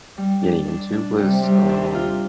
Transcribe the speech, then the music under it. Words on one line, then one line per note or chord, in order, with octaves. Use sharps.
getting into was, um,
G3
D4
D4
D4
C3 G3
G3
D4
F4